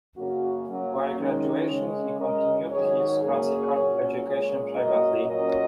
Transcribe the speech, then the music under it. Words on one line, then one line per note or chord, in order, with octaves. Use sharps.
While graduation he continued his classical education privately.
F#2 C#3 A#3 C#4 F#4
F#2 F#3 A#3 C#4
F#2 D#3 G#3 C#4
C#3 G#3 C#4
F#2 C#3 G#3 C#4 A#4 D#5
G#2 D#3 F#3 G#4 C#5
F#2 C#3 A#3 C#4 G#4 C#5
A#2 F#3 C#4
A#2 G#3 C#4 G#4 C#5
F#2 F#3 A#3 A#4 D#5
A#2 F#3 C#4 A#4 D#5